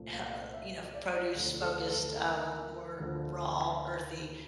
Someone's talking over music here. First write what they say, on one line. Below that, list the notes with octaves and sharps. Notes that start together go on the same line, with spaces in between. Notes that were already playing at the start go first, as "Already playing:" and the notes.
h uh you know, produce focused, um, more raw earthy
Already playing: C2 A#2 F3 A3
F5
E5
D5
D2 D3 A3
A4
A4
A#4
D2 D3 F3